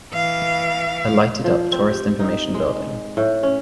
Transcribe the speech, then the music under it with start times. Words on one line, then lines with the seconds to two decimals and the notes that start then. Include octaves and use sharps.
A lighted up tourist information building.
0.13 E3 F5
1.44 F3
1.72 C4
1.90 G4
2.19 D#4
2.54 G#3
3.17 A2
3.43 C#4